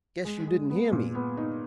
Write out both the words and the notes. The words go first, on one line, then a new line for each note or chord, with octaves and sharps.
Guess you didn't hear me.
G#3
G#3
B3
A#2
B3
D#4